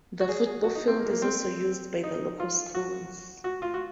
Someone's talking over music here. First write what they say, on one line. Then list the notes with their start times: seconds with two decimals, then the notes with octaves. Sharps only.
The football field is also used by the local schools.
0.21 F#4
0.29 G#4
0.46 G#4
0.64 F#4
0.75 D#4
0.88 C4
0.99 A#3
1.06 G#3
1.10 A#3
1.22 C4
2.04 D#4
2.40 F4
2.74 F#4
3.44 F#4
3.62 F4
3.74 F#4